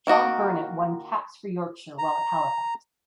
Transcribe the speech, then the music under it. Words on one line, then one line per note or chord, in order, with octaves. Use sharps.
John Burnett won caps for Yorkshire while at Halifax.
D#3 A#3 F#4 D#5
A#5